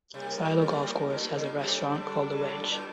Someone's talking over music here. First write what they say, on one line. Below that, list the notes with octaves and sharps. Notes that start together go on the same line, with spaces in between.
Silo Golf Course has a restaurant call the Wedge.
C3 G3 A#3 D#4 G4 A#4
A#2
C3
A2
A#2
A#2
C3 G3 D4 A4
D3
D3 F#3
A2
A#2